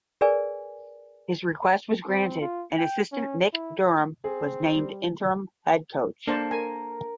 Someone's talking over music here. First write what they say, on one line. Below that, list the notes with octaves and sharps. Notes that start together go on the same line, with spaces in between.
His request was granted and assistant Mick Durham was named interim head coach.
G#4 A#4 B4 D5 G#5
C4
F4
G5
C#4
E4
C4 G#4
G3
A#3 D4 A4 C5 A5
A#4 G#5